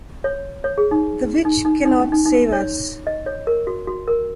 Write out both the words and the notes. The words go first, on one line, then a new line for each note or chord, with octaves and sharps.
The witch cannot save us.
C#5
C#5
G#4
D#4
D#4
D#4
D#4
C#4
D#4
D#4
C#5
D#5
C#5
A#4
F#4
F#4
A#4